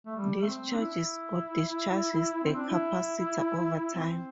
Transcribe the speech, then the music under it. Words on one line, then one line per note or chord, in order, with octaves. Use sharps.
This charges or discharges the capacitor over time.
A3
G3
A3
C4
D4
E4
C4
D4
E4
C4